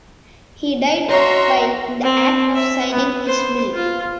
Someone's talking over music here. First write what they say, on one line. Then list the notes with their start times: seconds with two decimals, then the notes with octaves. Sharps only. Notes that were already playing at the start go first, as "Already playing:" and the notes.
He died while in the act of signing his will.
1.09 F#4 C#5 D#5 E5 A#5 C6 C#6
2.03 C4
2.54 E5
2.92 B3
3.26 C5
3.74 F4